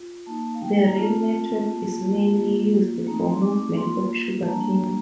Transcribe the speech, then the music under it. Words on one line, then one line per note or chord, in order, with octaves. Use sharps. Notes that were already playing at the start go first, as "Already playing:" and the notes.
The rail network is mainly used for movement of sugar cane.
Already playing: F4
A#3 D#4 A5
F5
G5
A#5
A3 C4 F4 A5
A#3 F4
A#3 F4
A3 C4 D#4 A#5
C6
D6
A#3 F4 C6
A5
G3 A#3 D4 A#5